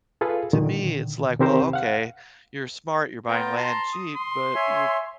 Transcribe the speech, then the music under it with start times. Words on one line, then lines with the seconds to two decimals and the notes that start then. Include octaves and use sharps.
To me, it's like, "Well, okay. You're smart, you're buying land cheap, but you're
0.21 F4 G#4 A4 B4 F5
0.53 A#2 D3 D#3
1.39 C3 D#3 C4 G4 A#4 C5
1.73 F5 F#5
3.28 B3 F4 G5 A#5
3.56 A5 A#5 C6
3.93 D#6
4.16 C6
4.55 C#5 E5 G#5